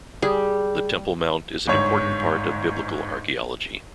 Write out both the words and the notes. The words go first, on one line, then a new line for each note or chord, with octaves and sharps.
The Temple Mount is an important part of Biblical archaeology.
G3 G#4
G1 G#2 C#5